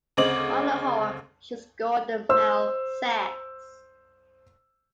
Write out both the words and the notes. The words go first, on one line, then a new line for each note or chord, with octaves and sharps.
On the whole, she scorned the male sex.
D2 C#3 C4 D#5 D6 F#7
C5 E6